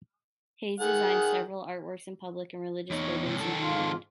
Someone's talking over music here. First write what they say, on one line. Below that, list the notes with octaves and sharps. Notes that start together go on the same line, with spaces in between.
Hayes designed several artworks in public and religious buildings in Ireland.
D#3 G#4 F#5
E2 D#4 C#5
G#2 C3
D#3 F#3 A4
G#2 F4